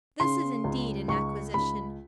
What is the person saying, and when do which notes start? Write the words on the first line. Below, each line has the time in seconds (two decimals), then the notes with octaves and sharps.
This is indeed an acquisition.
0.20 C#3 C6
0.64 C#2
1.08 C#2 C#6
1.54 C#2 B5